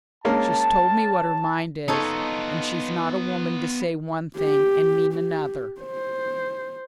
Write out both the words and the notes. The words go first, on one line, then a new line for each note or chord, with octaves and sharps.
She's told me what her mind is, and she's not a woman to say one thing and mean another.
G#3 A#3 C#4 A5
B3 D#4 F4 A4 C#5
G4
G4
C5